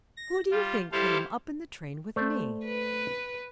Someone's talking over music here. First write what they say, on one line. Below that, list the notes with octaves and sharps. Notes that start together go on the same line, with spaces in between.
Who do you think came up in the train with me?'
A#6
G3 F4
G3 E4 G4 A4 C5 F5
A3 C5 D5
B4